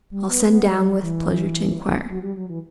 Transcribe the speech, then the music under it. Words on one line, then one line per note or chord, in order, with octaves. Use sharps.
I'll send down with pleasure to enquire.'
G3
B3
B3
G3
F#3
E3
F#3
G3
F#3
E3